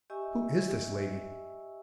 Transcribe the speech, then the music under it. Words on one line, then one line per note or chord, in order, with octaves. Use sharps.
Who is this lady?
G4 D#5 E5 G#5 C#6 E6